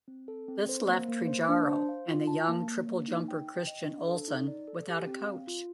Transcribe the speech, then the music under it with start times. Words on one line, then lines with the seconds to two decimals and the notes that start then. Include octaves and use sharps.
This left Tregaro and the young triple jumper Christian Olsson without a coach.
0.08 C4
0.28 A4
0.48 C4
0.69 C5
0.89 A#3
1.08 A#3
1.28 C5
1.49 D4
1.68 C5
1.89 F5
2.08 F4
2.27 A5
2.49 A#3
2.68 A#3
2.88 A#3
3.08 D#4
3.28 G5
3.48 G5
3.67 D#5
3.87 D4
4.07 A4
4.28 D#4
4.48 D5
4.68 A4
4.88 G4
5.07 C4
5.27 F5
5.47 F4